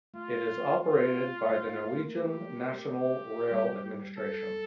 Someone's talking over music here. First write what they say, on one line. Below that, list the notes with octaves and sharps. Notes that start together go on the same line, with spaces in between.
It is operated by the Norwegian National Rail Administration.
A3 F4
F4
A3
A#3
A3
A#3
A3 G4
G4
G3
A4